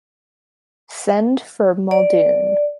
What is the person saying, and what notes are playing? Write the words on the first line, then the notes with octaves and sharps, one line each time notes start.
Send for Muldoon!
D5